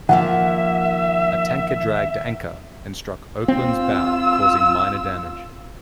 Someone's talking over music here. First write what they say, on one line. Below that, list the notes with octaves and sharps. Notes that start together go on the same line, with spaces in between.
A tanker dragged anchor and struck "Oakland"s bow, causing minor damage.
D#3 F3 A#3 E5 F#5
C4 F4 E6